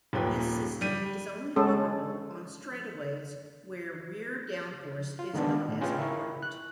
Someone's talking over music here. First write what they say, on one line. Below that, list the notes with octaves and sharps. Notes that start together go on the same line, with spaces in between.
This system is only operable on straightaways where rear downforce is not as important.
D#1 D#2 A#2 F3 B4 G5
G3 D#7
G#3 C#4 A4
F4
D3 D#3 G#3 B3 D4
A2
C#4 F4 G#4 B4 G5
E4 A#4 C#6
F#6